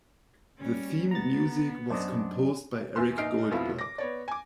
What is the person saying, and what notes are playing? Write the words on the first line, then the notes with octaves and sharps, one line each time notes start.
The theme music was composed by Eric Goldberg.
G3 C#4
B3 A#5 A6
F#2 D4 C5 D5 D#5
E2 C6
A#1 D#4 F6 C7 D7
F2 B2 E4 F4
D6 A#6
B3 C#5 D5
G#5 D6